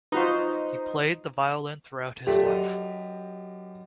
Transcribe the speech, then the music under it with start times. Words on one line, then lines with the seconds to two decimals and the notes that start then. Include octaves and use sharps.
He played the violin throughout his life.
0.12 D#4 F4 F#4 B4 C5
2.27 A#2 F#3 A3 G4
2.46 F#2 D#5 A#5